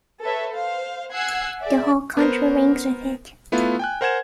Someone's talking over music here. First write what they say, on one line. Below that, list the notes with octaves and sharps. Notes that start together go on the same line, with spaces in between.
The whole country rings with it.
A4 B4 C#5 E5
C5 F5
F#5 G#5 E6 F#6 G#6 C7
G#4 D5 E5
B3 A#4 C5
A3 B3 E4 F4
G5 G#5 F#6
A#4 C5 F#5 G#5 G#6 E7